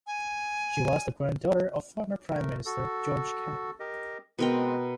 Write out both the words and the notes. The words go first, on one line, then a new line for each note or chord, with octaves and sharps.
She was the granddaughter of former Prime Minister George Canning.
G#5
A3 A#4
F#4 A4
G4 A#4 D#5
B2 G#3 C4 A#4 G5